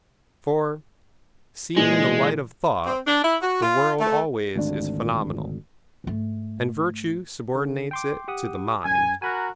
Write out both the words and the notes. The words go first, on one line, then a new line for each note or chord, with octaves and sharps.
For, seen in the light of thought, the world always is phenomenal; and virtue subordinates it to the mind.
A#2 E3 G#3
C4
D4
E4
F#4
F4
A3
G#1 D2 D4
G#2 A3
D3
G5 C6 D6
G4 F#5 D#6
F#2 G#5
F#4 A#4 G#5 A#5 B5 F#6